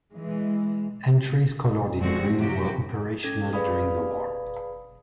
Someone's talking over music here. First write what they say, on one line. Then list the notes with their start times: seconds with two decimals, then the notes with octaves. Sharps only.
Entries coloured in green were operational during the war.
0.13 E3 G#3
1.98 D3 F3 G#3 C4 F#4
2.35 F#2 C3 F3 F#4 G4
3.23 C#4 A4 G#6
3.53 G#4 B4 D5 F5 B5 D#6